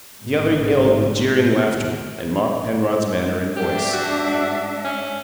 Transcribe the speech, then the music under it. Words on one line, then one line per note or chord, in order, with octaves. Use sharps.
The other yelled with jeering laughter, and mocked Penrod's manner and voice.
A1 G#2 B2 D3
G#2 D4 G4 E5
F#4
C#4